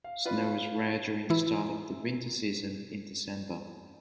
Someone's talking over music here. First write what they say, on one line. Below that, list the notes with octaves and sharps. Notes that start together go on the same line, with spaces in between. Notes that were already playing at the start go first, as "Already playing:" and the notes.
Snow is rare during the start of the winter season in December.
F5
F4 B4 D5
E3 E4